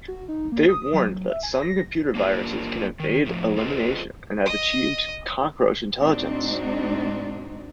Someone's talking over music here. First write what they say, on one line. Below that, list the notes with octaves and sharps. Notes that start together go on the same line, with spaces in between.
They warned that some computer viruses can evade elimination and have achieved cockroach intelligence.
F#4
D#4
A#3
D#6
F#3
E5
G#5
A#6
A#3 D4 F4 G4 A#4
D#3
A2 F3
F4 G#4 A4 B4 C5 D#5
D#5 D#6
A2 G#3 C4 D4 D#4 F#4